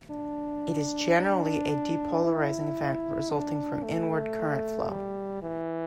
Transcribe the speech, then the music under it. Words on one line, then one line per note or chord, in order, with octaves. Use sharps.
It is generally a depolarizing event resulting from inward current flow.
D4
D4
E4
D4
A3
G3
E3